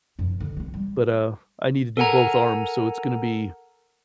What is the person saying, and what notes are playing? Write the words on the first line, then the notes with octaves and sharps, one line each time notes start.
But, uh, I need to do both arms, so it's gonna be
F#2 F3
D3 D#3
E3 C4
G3
A4 A#4 F#5 G#5 A#5